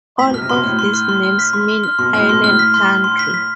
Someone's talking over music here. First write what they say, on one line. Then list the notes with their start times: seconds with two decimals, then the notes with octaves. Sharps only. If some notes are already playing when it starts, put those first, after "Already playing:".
All of these names mean "island country".
0.19 A2 B6
0.30 B2
0.34 F6
0.42 C3
0.50 B2 C6
0.64 A2 F6
0.79 C6
0.94 F6
1.09 C6
1.24 F6
1.39 B6
1.53 C6
1.69 C6
1.84 F6
1.99 B2 C6
2.14 A2 F6
2.29 B2 C6
2.44 A2 F6
2.59 B6
2.74 C6
2.88 C6
3.04 C6
3.19 B6
3.34 B6